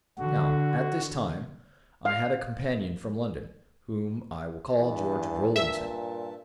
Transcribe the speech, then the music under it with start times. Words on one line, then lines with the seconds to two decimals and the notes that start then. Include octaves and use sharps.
Now, at this time I had a companion from London, whom I will call George Rollinson.
0.19 D3 F#4
2.05 F5
4.77 E2 G2 A5
5.56 A#2 E5